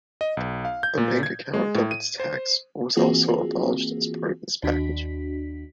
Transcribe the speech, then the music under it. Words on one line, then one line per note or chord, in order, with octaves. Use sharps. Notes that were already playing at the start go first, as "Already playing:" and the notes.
The bank account debits tax was also abolished as part of this package.
D#5
B1
F5
G6
A#2
G#6
G#3
A2
D#7
C5
E3 A#3 C4 F4 F#4 G#4
D#2 D4 F#4 B6